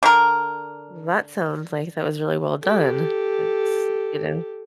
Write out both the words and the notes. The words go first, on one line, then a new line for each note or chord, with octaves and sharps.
That sounds like that was really well done. It's you know?
D3 A#4
G4 A4